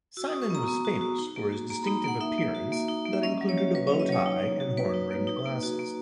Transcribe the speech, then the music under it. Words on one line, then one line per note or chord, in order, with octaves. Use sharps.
Simon was famous for his distinctive appearance that included a bowtie and horn-rimmed glasses.
F#4 E6
D#6
F#4
C#6
B3 A#5
B3
F#4
F#4
D#4
A#3
F#4
A#3 A#5
B5
D#4
A#3 F#5
D#4 E5
A#3
F#4
A#3
D#4
A#3
E5
C#4 D#5
F#3
C#5
F#4
F#3 B4
C#5
C#4
D#5
F#3 C#5
D#4
A#3
F#4
A#3 B4
D#4
A#3
D#4
A#3
F#4
A#3